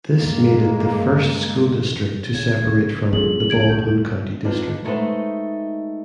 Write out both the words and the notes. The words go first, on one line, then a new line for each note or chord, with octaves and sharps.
This made it the first school district to separate from the Baldwin County district.
G2 G#3 A#3
C#3 G#6
F3 A#3 C#4 G#4 A4 F#7
G#6 D7
C2 G2 D3 G6
C4 D4 D#4 F4 B4
G#3 A3 D#4 F#4 B4 C5